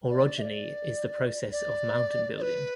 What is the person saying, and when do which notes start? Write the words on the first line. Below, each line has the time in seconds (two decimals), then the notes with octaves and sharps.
Orogeny is the process of mountain building.
0.10 D5
0.38 E5
0.42 D5
1.52 D5
2.37 D5
2.41 B4